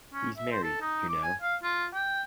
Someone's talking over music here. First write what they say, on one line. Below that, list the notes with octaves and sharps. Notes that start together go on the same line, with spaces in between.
He's married, you know.
C#4
E5
C5
A4
D#4
D6
G#5
F5
F4
G5